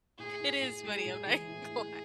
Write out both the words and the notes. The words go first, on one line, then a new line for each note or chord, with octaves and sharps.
It is funny, I'm not even gonna lie.
A2 G#4
A2
A2
G#3 G#4
A2
E3
A2
A2